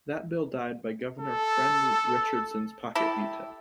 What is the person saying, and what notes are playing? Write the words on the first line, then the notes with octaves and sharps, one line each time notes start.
That bill died by Governor Friend Richardson's pocket veto.
A4
E4 G4 A4